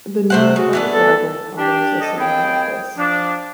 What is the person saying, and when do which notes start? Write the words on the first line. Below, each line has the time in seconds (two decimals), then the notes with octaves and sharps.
The New York Public Library follows the same practice.
0.30 C3 A3 C5 F#5
0.56 C#3 F#4
0.73 E3 B3 D4
0.89 A4
1.57 D4 G4
2.00 A4 D#5
2.18 D#2 C4 E4 G#4 G5
2.97 F3 D4